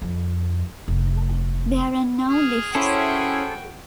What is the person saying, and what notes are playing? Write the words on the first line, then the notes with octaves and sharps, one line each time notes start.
There are no lifts.
F2
F1
G#4 F6
C#4 E4 F#4 A4 C5 G5